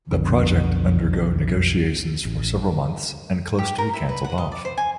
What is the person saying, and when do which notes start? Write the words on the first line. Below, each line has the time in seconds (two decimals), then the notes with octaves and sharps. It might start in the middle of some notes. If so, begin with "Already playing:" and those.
The project undergo negotiations for several months and close to be cancelled off.
0.11 B1 F2 B2 D3
2.25 A1
3.58 G4
3.78 A#4
3.93 E4
4.09 B4
4.24 F#5
4.38 D#5
4.52 D5
4.65 C5
4.78 G#5